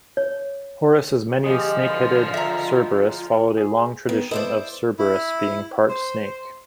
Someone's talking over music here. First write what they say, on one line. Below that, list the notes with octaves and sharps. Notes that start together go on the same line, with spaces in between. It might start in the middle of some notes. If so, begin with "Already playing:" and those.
Horace's many snake-headed Cerberus followed a long tradition of Cerberus being part snake.
C#5
D3 F3 G#3 G4 D#6
B4 C6
F4 E5 A#5
G#4
D#3 B3
E4 A4 B4 C5 D5 D#5
E4
C5